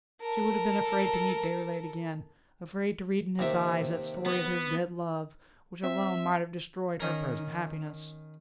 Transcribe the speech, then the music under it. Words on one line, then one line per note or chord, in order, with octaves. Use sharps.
She would have been afraid to meet Deroulede again, afraid to read in his eyes that story of his dead love, which alone might have destroyed her present happiness.
A4 A#4
D#2 C3 E5
B3
C4 E5
D#3 C#4 A#4